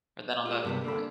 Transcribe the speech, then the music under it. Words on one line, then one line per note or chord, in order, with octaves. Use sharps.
or than on the right.
G#3 A#3 F4 G4
G2 C3 B3
G2 D3 A#3 B5